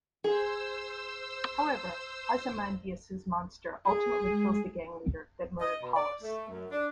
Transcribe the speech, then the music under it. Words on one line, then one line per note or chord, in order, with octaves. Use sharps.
However, Ozymandias' monster ultimately kills the gang leader that murdered Hollis.
G#4 C5 E6
G#4
G#3
D#5
B2
D5
A3
F#2
D4